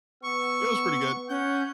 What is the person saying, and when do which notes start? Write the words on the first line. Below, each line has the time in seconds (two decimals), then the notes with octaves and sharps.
it was pretty good.
0.23 B3 C#6 E6
1.29 C#4 F#5 G6